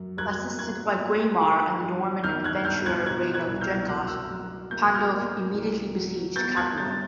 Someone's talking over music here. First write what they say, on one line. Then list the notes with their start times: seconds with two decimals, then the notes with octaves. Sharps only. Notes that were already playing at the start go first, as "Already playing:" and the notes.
Assisted by Guaimar and the Norman adventurer Rainulf Drengott, Pandulf immediately besieged Capua.
Already playing: F#2
0.17 G3 F#6 G#6
0.59 A#3 F#6 G#6
1.01 A#3
1.42 D#3
1.83 G3
2.24 D#3 F6 G6
2.44 F#6 G#6
2.65 G3 F6 G6
2.86 F#6 G#6
3.06 B2 F#6 G#6
3.34 F#6 G#6
3.48 C2
3.61 F6 G6
3.88 F#3 F#6
3.98 F6
4.07 E6 F#6
4.31 F#3
4.71 A#3 G6
4.84 F#6
4.95 F6 G6
5.13 A#3
5.54 C2
5.95 F#3
6.36 B3 G6 A6
6.56 F#6 G#6
6.77 G2 G6 A6